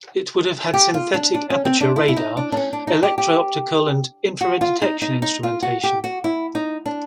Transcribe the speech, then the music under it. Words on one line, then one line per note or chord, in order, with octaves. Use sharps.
It would have had synthetic aperture radar, electro-optical and infrared detection instrumentation.
G4
F4
D4
D4
C#4
C4
D4
E4
E4
D#4
D4
D4
C#4
D4
D#4
G4
G4
F#4
F4
D#4
D#4
D#4
F4
F#4
G4
F#4
E4
D#4
D4